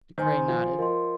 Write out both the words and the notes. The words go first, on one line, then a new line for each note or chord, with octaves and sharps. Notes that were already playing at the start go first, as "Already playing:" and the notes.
De Craye nodded.
D#3 C5 G#5 C6
F3
F3 A#4 D#5 C6